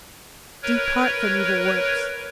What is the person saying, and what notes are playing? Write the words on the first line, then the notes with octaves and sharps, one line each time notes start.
Depart from evil works.
A#4 B4 C#5